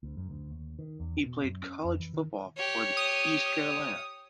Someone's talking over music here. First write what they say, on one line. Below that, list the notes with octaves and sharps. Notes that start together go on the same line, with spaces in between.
He played college football for the East Carolina.
D2
F#2
D2
D#2
D#3
E2
B2
F#2
C#4
F2
E3
D#3
G4 C#5
D#6